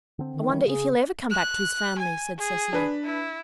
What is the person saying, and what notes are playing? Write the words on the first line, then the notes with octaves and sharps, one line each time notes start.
"I wonder if he'll ever come back to his family," said Cecily.
D3 C4
D#3
E3 G3
C#3 G#4
F#6
G#5
G#4
D4 B4
E4